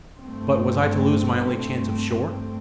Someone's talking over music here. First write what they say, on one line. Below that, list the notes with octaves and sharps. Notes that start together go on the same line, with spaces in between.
But was I to lose my only chance of shore?
G2 A3 C4